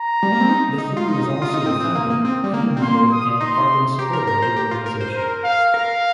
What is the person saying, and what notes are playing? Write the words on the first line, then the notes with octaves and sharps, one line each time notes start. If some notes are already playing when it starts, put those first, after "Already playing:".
Bethune was also a founder, paying member and ardent supporter of the organization.
Already playing: A#5
G3
A#3
C4
D#4
D#4
F4
D#4 D#6
F4
D#4
C4
C4
A#3
A#3
C4
G3
A#3
C4
A#3 C6
D#6
D#4 C6
G4 A#5
A#4
A#4
C5
G4
F4
A#4
C5
A#4
F5
A#4 F5